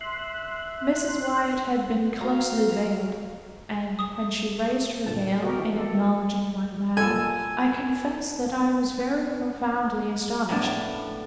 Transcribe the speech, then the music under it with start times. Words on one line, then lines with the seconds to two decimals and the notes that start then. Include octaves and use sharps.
Mrs. Wyatt had been closely veiled; and when she raised her veil, in acknowledging my bow, I confess that I was very profoundly astonished.
0.01 E5 C6 F#6
2.21 F#4 F5 A#5
3.99 D#6
5.06 G2 A#2 D3 A5
5.43 D#2 F#4 G4 A#4 D#5
5.60 E3
5.77 A#3 A4
6.97 A#3 F4 A4 D#5 G#5
10.49 A2 B3 D4